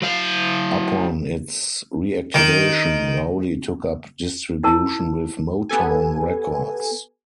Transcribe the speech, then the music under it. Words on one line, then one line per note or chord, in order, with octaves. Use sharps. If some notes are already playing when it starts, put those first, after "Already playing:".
Upon its reactivation, Rowdy took up distribution with Motown Records.
F#3 F5
D#3
E4 A#4 A5
B3 G4 A4 G#5